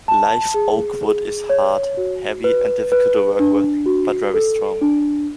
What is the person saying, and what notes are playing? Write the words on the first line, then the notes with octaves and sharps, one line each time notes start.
Live oak wood is hard, heavy, and difficult to work with, but very strong.
A5
G#4
G#4
C#5
F#4
B4
B4
D4
F#4
A4
D4